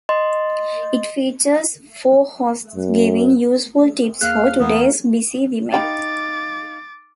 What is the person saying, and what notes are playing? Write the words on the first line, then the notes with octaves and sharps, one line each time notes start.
It features four hosts giving useful tip's for today's busy women.
D#5 C6
F#2
E2 A#3 G#4 F5 F#6
E2 E3 A#3 B3
D#4 G4 F5 G5 B5 D6 A6